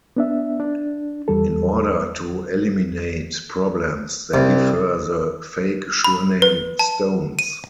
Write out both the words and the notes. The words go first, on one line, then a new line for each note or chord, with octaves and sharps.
In order to eliminate problems, they give her the fake surname Stones.
B3 D4 E5
D4
E2 G3 A4
C2
B5
B4
A5
D#7